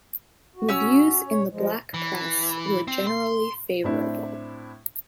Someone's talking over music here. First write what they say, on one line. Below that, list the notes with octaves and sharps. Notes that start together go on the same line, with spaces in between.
Reviews in the black press were generally favorable.
F#4
C#4 E6
C#5
F3 G#3
E3
C4
C6
A2 C4 D4 E4